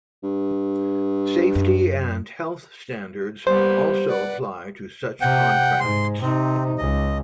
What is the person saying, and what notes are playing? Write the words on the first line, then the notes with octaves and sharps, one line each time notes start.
Safety and health standards also apply to such contracts.
G2
F#2
G3 A#3 B3 G4 C5
B4 D5 F#5
C3 F#5 G5
G#2 C6
C3 C4 D#4
C#2 D#5